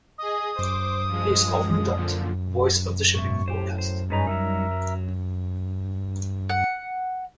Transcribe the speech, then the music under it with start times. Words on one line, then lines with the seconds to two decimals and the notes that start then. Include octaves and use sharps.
He is often dubbed "Voice of the Shipping Forecast".
0.18 G#4 D#5 D#6
0.55 C5 D6
1.08 F3 G#3
1.95 A#2 D3 F3
3.15 G#2 B2 E5 C#6
3.48 A2 G4 C5
3.78 C5
4.10 G2 C#4 D#4 G#4 B4 A#5
4.27 F#3 G3 D#4 A#4 E5
4.71 F#3
6.49 F#5